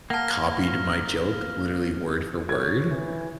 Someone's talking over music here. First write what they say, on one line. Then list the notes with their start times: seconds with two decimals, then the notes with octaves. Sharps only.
copied my joke literally word for word. Um,
0.10 A#3 F#5 A5 F6 A#6
2.49 C#5 G#6
2.89 E3